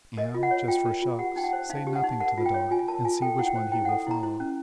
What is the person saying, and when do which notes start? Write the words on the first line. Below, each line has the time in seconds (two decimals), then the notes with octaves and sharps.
Am, just for shucks, say nothing to the dog and see which one he will follow.
0.17 A#4 D#5
0.34 F4
0.43 F#5
0.51 C#5
0.68 F4 G5
0.85 A#4
1.02 F4
1.19 G4 F#5
1.36 D#4 G5
1.44 F#5
1.53 C5
1.69 D#4 F5
1.87 G4
1.96 F#5
2.04 D#4
2.20 A#4 F#5
2.38 F4
2.46 G5
2.54 C#5
2.71 F4 G#5
2.88 A#4 A5
3.05 F4 G#5
3.22 A4 G5
3.39 E4 F#5
3.47 G5
3.56 C5
3.72 E4 G5
3.85 A4 F#5
4.07 E4 A#5
4.23 E4
4.40 C#4